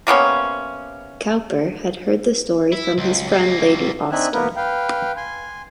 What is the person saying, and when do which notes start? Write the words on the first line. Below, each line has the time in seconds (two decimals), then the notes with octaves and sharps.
Cowper had heard the story from his friend Lady Austen.
0.07 C3 A#3 B3 C#4
2.72 E4
2.98 C#2
3.28 C#2 A#3
4.12 C4 D4 D#4 E5 G#5 F#6
4.33 A#3 B3 A#4 B4
4.56 B4 F5 G5
5.17 G#5 C6